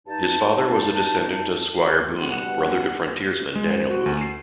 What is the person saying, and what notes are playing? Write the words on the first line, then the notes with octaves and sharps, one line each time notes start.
His father was a descendant of Squire Boone, brother to frontiersman Daniel Boone.
G2 D#4 A5
G1 G2 B2 B3 F#5
G#3
C5
F#4
D2
C7